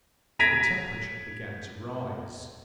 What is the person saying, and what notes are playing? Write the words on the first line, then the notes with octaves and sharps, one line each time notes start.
The temperature began to rise.
G#6 A#6 B6 D7 D#7 F7